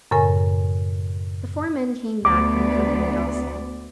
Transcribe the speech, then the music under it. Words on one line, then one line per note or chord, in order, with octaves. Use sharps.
The four men came back unaccompanied also.
F#2 A2 C#3 A#4 G#5
D2 B3 D5 D6